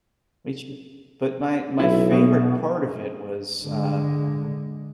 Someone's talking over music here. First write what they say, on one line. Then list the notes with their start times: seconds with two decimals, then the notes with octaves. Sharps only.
We should but my my favorite part of it was, uh
1.80 B1 E4
2.11 B2
3.63 D3 G#3